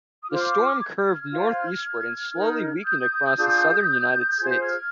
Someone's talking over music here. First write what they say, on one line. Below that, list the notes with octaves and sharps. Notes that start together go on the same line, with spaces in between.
The storm curved northeastward and slowly weakened across the Southern United States.
D#6
F4 C5 D6 F6
G#6
F6 G#6
F4 C5
D#4 A#4
D#6 G6
D4 F4 G#4
F4 G#4 C5 G#6
G6
F6 G#6